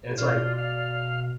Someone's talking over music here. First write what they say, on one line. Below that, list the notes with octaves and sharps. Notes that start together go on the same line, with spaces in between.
and it's, like
B2 F4 D5
F5